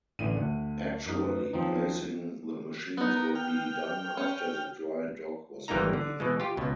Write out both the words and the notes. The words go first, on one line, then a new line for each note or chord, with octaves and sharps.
Actually placing the machines would be done after the dry dock was ready.
A1 D3 E3 D#7
D2 F#5
F#2 D#4
B4
D#2 F3 C4 D#4
B3 D#4
A#4
G5 F6
C#4
G#1 E3 G3 A#3 D#4 A#5
D3
B2 E3 G#3
F4 G4
C#2 B2